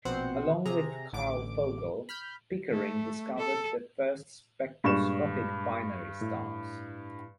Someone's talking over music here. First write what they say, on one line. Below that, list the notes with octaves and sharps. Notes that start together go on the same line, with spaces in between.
Along with Carl Vogel, Pickering discovered the first spectroscopic binary stars.
A#1 B2 C4 C5 F#5
C3 G#4 A#5
A1 D3 D6 D7
B5 F6 G6
A3
A4
G2 A#2 G#3 D4 C#6 E7
A2 E4